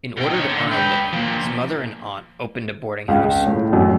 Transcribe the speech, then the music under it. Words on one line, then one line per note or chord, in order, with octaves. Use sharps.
In order to earn a living, his mother and aunt opened a boarding house.
B2 G5
D#4 C#5
D3
B4 G5
F3 A#3
C#2
A2
F#2